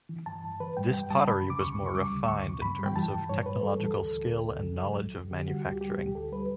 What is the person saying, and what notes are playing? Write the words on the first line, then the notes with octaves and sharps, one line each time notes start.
This pottery was more refined in terms of technological skill and knowledge of manufacturing.
E3
G2 A5
G2
E3 B4
G3 G5
G2 G5
G3 A5
C#3 B5
C#3
D6
D2 C#6
C#3
C#6
G3 D6
D2
D2 C#6
C#3
G2 B5
G3
G5
E3 A5
G2
G2 C#5
G2 B4
G3 A4
E3 A4
D2
D2
D2
D2
C#3
F#3
D2
D2
D3 G4
G3 F#4
D2 G4
G3 G4
D2 G4
D2 A4
G3 B4